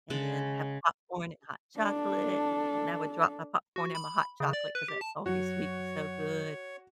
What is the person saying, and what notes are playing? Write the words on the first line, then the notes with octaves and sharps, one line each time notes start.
and then have popcorn and hot chocolate. And I would drop my popcorn in my hot chocolate because that salty sweet was so good.
C#3 G#3 F#5 A5
D4 A4
F#4
B5
C#3
D5
B4
G4
A5
F#2 F#3 F#4 C#5